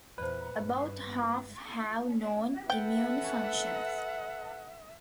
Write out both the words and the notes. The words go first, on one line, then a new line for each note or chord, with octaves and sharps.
About half have known immune functions.
E2 A#2 B4 C5 D5
G2
A4 B4 E5 F#5 G5